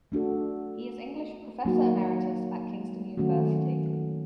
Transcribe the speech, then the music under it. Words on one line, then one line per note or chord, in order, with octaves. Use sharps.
He is English Professor Emeritus at Kingston University.
A3 D4 F#4 A4
F#3 A#3 D#4 F#4
D#3 F#3 A3 C#4 F#4